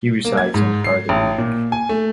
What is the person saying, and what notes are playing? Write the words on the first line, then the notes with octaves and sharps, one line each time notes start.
He resides in Harderwijk.
A#3
G#6
G#2
C7
A1
A#2
G#5
A3